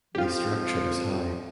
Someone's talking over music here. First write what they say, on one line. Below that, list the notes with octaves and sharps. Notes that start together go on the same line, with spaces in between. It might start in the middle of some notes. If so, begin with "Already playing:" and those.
The structure is high.
F2 F3 F4 G4